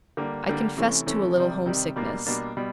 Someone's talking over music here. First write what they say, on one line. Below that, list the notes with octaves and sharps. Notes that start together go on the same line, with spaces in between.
I confessed to a little homesickness.
D3 G3 A#3
D3 G3 A#3
C3 E3 A3 C#4
C3 E3 A3 C#4
C3 D#3 G3
C3 D#3 G3
B2 G3 A#3 D4
B2 G3 A#3 D4
B2 G3